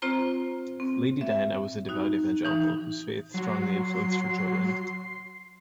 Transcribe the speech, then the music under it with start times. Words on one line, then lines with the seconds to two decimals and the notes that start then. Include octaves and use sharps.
Lady Diana was a devout evangelical whose faith strongly influenced her children.
0.02 C4 F4 C5 A#5
0.80 C4
1.21 E5
1.89 D#4 F#4
2.45 E3 D#4
3.34 F#3 C6